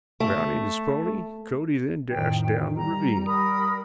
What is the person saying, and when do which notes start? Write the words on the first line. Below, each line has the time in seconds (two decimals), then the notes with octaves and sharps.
Mounting his pony, Cody then dashed down the ravine.
0.20 A3
2.10 F2 A2 D#3 G5
2.77 G3 A#5
3.26 A#4 B5 D#6